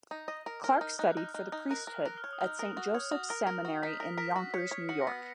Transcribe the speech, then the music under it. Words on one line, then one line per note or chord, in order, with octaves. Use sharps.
Clark studied for the priesthood at Saint Joseph's Seminary in Yonkers, New York.
D#4
D#5 D#6
A#4
A#4 F6
D#4
D#4 F#6
D#4
F6
D#4 F#6
D#4
A#4 F#6
A#4
F6
A#4 F#6
F6
C#5
D#6
D#4 F6
A#4 D#6
F#4 D#6
C#5 D#6
F#4 D#6
A#4 F6
A#4
F#4
D#4 B6
A#4
A#4 B6
F#4
C#5 C#7
C#5 B6
F#4 C#7
A#6
B3 B6